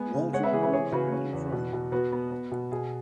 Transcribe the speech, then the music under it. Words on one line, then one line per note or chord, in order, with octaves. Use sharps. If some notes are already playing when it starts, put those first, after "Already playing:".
Walton grew up in Detroit.
Already playing: G#3 B3 G#5
C#3
G#3 C#5 F#5
B4 E5
E3 G#4
B4 E5
E3 G#4 C#5
C#3 F#4 B4
C#4
E2
B2
B2
B3 F#4 B4
B3
B3
B2
B2 G#4